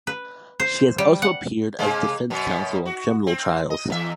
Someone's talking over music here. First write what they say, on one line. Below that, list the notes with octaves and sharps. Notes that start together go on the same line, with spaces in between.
She has also appeared as defence counsel in criminal trials.
B4
C5
G3
F#5
C3 G#3 A#3
F#2 B2
F#4
C4
D#5
E2 E5